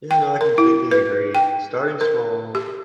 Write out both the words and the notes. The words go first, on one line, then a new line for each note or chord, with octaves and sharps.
Yeah, no, I completely agree. Starting small,
G5
A#4
E4
B4
G5
A#4
G4